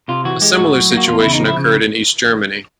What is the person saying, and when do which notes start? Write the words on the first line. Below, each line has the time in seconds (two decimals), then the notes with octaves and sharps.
A similar situation occurred in East Germany.
0.08 C3 F4
0.25 E3 F#4
0.41 G#3 G4
0.57 A2 F#4
0.75 F#3
0.91 A#3
0.97 F#4
1.08 E2 F4
1.20 E4
1.24 C#3
1.33 D#4
1.41 F3 E4
1.57 C#3